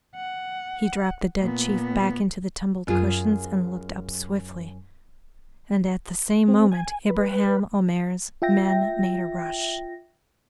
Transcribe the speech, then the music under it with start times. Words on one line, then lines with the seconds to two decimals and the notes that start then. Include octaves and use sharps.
He dropped the dead chief back into the tumbled cushions and looked up swiftly, and at the same moment Ibraheim Omair's men made a rush.
0.15 F#5
1.40 A#2 B3
2.87 F#2 F4 G#4
6.48 C4
6.72 G#5
7.10 B4
8.42 F4 E5 G5 A#6